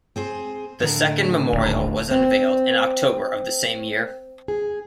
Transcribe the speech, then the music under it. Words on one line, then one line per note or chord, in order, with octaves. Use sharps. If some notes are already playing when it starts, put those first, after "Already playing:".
The second memorial was unveiled in October of the same year.
C4 G#4 C5
A2 D3 A#4
D#1
C4
G#4